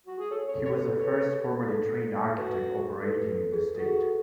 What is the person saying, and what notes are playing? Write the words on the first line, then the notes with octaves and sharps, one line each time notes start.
He was the first formally trained architect operating in the state.
F#4
G#4
A4 C#5
C#5
A4
C#5
B4
A4
B4
C#5
A4
F#4 B4
A4
B4
A4
G#4
F#4 A4
G#4
A4